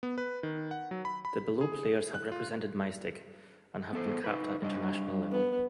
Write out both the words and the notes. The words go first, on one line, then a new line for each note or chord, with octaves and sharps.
The below players have represented Maesteg and have been capped at international level.
B3
B4
D#3
F#5
F#3
B5
B5
G#4
F#6
F4
B3 A4 C5
D#4 B4
G3 D4 D#5
B3